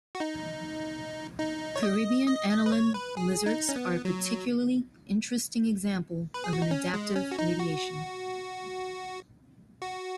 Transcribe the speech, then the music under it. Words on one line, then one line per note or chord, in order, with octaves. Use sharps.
Caribbean anoline lizards are a particularly interesting example of an adaptive radiation.
F#4
D#4
D#4
C#5
D#5
D#5
D#5
B4
C#5
B4
G#4
D#4
C#4
B3
F#3
B4
G#4
F#4
D#4
C#4
G#3
C#4
F#4
D#4
F#4
F#4